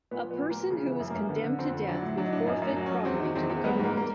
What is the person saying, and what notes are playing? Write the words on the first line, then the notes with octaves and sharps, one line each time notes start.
A person who was condemned to death would forfeit property to the government.
A#2 B3
F3 B3
A#2
A#3
F3
C#3
E3 B3
F#2
A#3
F#2
D3 B3
D3
F2 C4
D3
F#3 D4
A2
F#3 D4
D#4
A2 D4
F#2 D#4
F#2 D4
F#3
C#4
F#3
E2 C4
D#3
E2 C4
E2
G3 B3
G#2 A#3
A#3